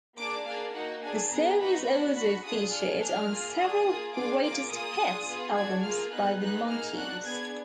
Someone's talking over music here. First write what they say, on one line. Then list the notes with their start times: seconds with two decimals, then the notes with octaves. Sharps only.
The song is also featured on several "greatest hits" albums by The Monkees.
0.17 A#3 D4 G#4 D6
0.45 A#3 D4 G#4 F5
0.74 A#3 D#4 F#4 F#5
1.02 D4 G#4 G#5
1.30 B3 D4 G#4 A#5
1.58 B3 D#4 F#4 B5
1.87 D4 F#4
2.15 D4 F#4 B5
2.43 D4 F4 G#4 D#6
2.71 D4 G#4 F6
3.00 D4 G#4 F6
3.28 A#3 F4 G#4
3.57 D4 F4 G#4 D#6
3.86 A#3 F4 G#4
4.14 D4 F4 G#4 D6
4.41 A#3 F4 G#4 D6
4.70 A#3 F4 G#4 D#6
4.98 D4 F4 G#4
5.27 B3 F4 G#4
5.55 D4 F#4 G#6
5.82 A#3 F4 G#4 F6
6.11 B3 D#4 G#4 F#6
6.39 B3 D#4 G#4 F#6
6.67 A#3 D#4 G#4 F6
6.96 D4 F#4 F#6
7.24 B3 D4 G#4 G#6